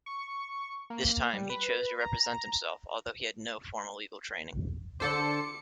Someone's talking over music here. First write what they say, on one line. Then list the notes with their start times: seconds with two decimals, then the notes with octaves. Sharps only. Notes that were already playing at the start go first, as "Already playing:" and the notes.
This time, he chose to represent himself, although he had no formal legal training.
0.06 C#6
0.90 A#3
1.33 G3
1.50 B4
2.01 A#5
5.00 D3 A4 C5 D6 C#7